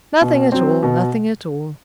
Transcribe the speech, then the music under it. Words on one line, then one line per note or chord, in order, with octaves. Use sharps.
"Nothing at all,--nothing at all."
B2
F#3 C4
B2